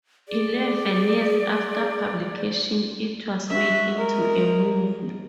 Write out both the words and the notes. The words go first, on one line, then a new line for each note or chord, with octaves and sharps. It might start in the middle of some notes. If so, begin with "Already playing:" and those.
Eleven years after publication it was made into a movie.
G#4 D5
F#4 E5
G#3 A#4